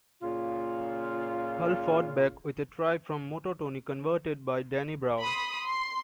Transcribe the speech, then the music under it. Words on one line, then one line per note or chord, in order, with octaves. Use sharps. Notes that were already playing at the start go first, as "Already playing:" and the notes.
Hull fought back with a try from Motu Tony converted by Danny Brough.
A#2 C#3 F4
B5 C6 D#6
C6